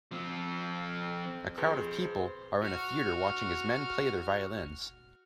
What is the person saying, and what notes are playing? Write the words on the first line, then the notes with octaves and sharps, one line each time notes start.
A crowd of people are in a theater watching as men play their violins.
F3 C4
F2 G#4 B4 C5 B5
F#4 F6